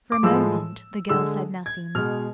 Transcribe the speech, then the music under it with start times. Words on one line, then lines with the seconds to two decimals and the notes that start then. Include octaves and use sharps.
For a moment the girl said nothing.
0.12 D6
0.23 A2 F3 G#3 E6
1.09 D3 G#3 E6
1.66 G#6
1.95 B2 G#3 F6